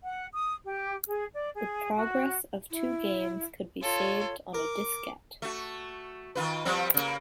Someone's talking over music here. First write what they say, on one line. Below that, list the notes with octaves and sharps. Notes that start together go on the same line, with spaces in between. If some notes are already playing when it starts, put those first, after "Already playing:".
The progress of two games could be saved on a diskette.
F#5
D#6
G4
G#4
D5
G#4
F#4
E4
F4 A4 C#5
A#4 D6
A3 F#4
D#3 F4 B4
F3 G3 C4
C#3 A#3